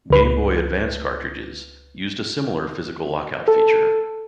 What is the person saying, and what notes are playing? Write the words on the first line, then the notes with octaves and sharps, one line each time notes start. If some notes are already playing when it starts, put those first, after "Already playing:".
Game Boy Advance cartridges used a similar physical lock-out feature.
C#2 B4
A4